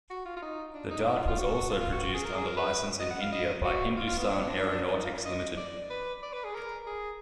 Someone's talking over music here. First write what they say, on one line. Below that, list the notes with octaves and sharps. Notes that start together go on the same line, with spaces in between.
The Dart was also produced under licence in India by Hindustan Aeronautics Limited.
F#4
F4
F4
D#4
D4
D#4
D4
D#4
F4
F4
F#4
F#4
F4
F4
F#4
F#4
G#4
A#4
G#4
A#4
B4
D#5
F#5
F5
D#5
F#4
F4
F4
B3
D4
B3
D4
D#4
F4
D#5
D5
B4
D5
B4
G#4
A#4
G#4